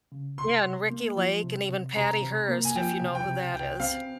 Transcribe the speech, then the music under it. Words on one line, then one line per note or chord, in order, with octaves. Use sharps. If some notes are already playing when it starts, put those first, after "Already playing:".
Yeah, and Ricki Lake, and even Patty Hearst, if you know who that is.
C#3
C3 C6
C3
A#3
F3
C3
C3
C3 A#5
C3
A#3
G#5
F3 G5
C3
G5
C3
C2 G5
C4 F5